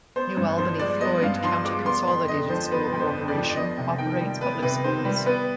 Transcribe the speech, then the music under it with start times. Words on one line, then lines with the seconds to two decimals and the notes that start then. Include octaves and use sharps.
New Albany-Floyd County Consolidated School Corporation operates public schools.
0.16 B3 C5
0.37 G2
0.58 F3 C5
0.79 G#3 D5
1.00 B3 D#5
1.22 G2 F5
1.43 F3 C6
1.64 G#3 D6
1.86 B3 C6
2.07 F2 C6
2.28 D3 D#5
2.49 F3 C5
2.71 B3 B4
2.93 F2
2.99 C5
3.13 D3
3.28 D5
3.35 F3
3.49 D5
3.56 B3 D#5
3.78 C3
3.98 D#3 G5
4.20 G3
4.41 B3 B4
4.62 C3 B4
4.84 D#3 C5
5.05 G3 B4
5.26 B3 B4